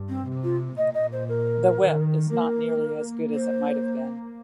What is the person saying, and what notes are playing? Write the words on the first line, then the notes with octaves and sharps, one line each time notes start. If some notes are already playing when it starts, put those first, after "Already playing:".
"The Web" is not nearly as good as it might have been.
Already playing: G2
C4
C3
F4
A#2 D#5
D#5
C5
A#4
D#3
A#3 A#4
A#3
C5